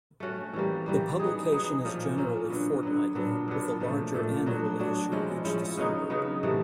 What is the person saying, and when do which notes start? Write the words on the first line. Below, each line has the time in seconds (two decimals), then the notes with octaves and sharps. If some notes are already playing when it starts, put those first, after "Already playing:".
The publication is generally fortnightly, with a larger annual issue each December.
0.20 A3 C#4 F#4
0.53 E3 G3 A#3
0.86 E3 G3 A#3
1.19 F#3 B3 D#4 G#4
1.52 F#3 B3 D#4 G#4
1.85 A#2 F3 A#3 C#4
2.17 A#2 F3 A#3 C#4
2.50 D3 F#3 B3
2.83 D3 F#3 B3
3.15 A#2 F#3 B3 D4
3.48 A#2 F#3 B3 D4
3.80 A#2 F3 A3
4.14 A#2 F3 A3
4.46 F#3 B3 D4 F#4
4.79 F#3 B3 D4 F#4
5.12 F3 G#3 C#4 E4
5.45 F3 G#3 C#4 E4
5.77 C#3 F#3 B3 D#4
6.10 C#3 F#3 B3 D#4
6.43 C3 E3 A3